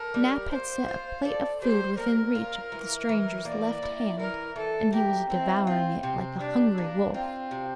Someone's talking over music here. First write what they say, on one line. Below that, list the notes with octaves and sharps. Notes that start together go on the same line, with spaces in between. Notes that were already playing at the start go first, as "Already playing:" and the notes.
Nap had set a plate of food within reach of the stranger's left hand, and he was devouring it like a hungry wolf.
Already playing: A4 A#4
G3
A#3 C5
F4
A4 D5
G3 C5
A#3 A#4
F4
E3
E3
A#3 D5
E4
E3 A#4
E3 A4
A#3 G4
C4 E4
C4 F4
C3 C4
G3 D4
A#3
C4 F4
C3